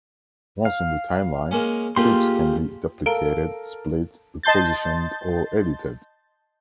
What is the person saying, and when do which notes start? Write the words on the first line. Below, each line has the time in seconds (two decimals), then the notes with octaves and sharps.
Once on the timeline, clips can be duplicated, split, repositioned or edited.
0.65 F5
1.51 G#3 A#3 C#4
1.96 G#2 A3 A#3 F4 G4 C6
3.06 A4 A#4 F5 D7 G7
4.43 D#5 A5 C6 G6 A6